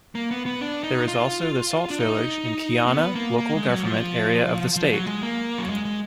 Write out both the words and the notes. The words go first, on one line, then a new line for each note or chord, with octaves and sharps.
There is also the Salt Village in Keana Local Government Area of the State.
A#3
B3
B3
D4
D#4
F4
D4
D#4
A#3
B3
A#3
A#3
G#3
F#3
F3
F3
F#3
G#3
A#3
F#3
G#3
G#3